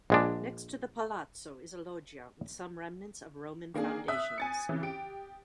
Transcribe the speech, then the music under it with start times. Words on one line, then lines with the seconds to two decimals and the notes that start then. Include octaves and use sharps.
Next to the Palazzo is a loggia with some remnants of Roman foundations.
0.10 A#1 G#3 D4
3.74 D#3 A#3 D4 G#4
4.08 E5 D#6 F#6 B6
4.38 G#5 A6 C#7
4.69 C#3 E3
4.83 G4 D7